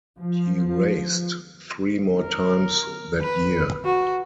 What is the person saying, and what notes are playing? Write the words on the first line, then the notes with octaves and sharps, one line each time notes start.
He raced three more times that year.
F3
A#4
B4
F#4